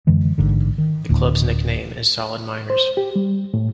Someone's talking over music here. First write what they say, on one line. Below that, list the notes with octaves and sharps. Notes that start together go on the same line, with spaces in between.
The club's nickname is "Solid Miners".
F#2 D3 E3 G#3
A1 G#2 D3
D#3
D1 D2 A2
C5
G4
G3
A2